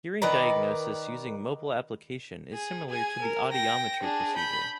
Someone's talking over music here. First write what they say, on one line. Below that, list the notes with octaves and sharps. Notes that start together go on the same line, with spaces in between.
Hearing diagnosis using mobile application is similar to the audiometry procedure.
D#3 B4 D5 A#5
G#4
G#4 G#5
A#4
G5 A#6
D4 G#4
B5 G6